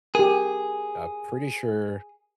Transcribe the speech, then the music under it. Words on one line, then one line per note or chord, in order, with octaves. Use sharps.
I'm pretty sure
G4 G#4 A#4